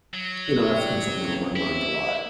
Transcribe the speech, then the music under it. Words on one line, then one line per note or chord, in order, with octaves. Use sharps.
you know, that's been something on my mind a lot.
F#3
G4 D5
C#3 E3 C4
E4